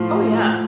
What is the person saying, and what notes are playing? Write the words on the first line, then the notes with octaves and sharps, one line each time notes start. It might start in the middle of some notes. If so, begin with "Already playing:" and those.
Oh, yeah.
Already playing: A2 F3